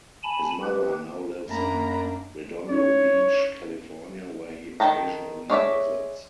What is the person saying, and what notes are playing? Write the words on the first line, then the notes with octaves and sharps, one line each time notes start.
His mother now lives in Redondo Beach, California, where he occasionally visits.
G#5 A5 B5
G4 B4
F#2 A#3 D4 A#5 B5
C#4 D#4 E4 C#5
D#3 F3 G5 A5 A#5
G#3 C#5 D5 E5